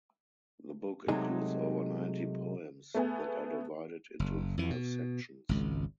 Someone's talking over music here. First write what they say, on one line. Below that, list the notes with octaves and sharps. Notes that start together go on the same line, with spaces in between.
The book includes over ninety poems that are divided into five sections.
C3 F#3 G#3 A3 D#4 G#4
A3 B3 G#4
F#1
F2 E3
B2
G#1 C#2